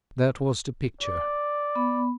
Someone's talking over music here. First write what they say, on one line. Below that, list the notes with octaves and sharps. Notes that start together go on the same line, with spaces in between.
That was the picture!
D5
B3 B5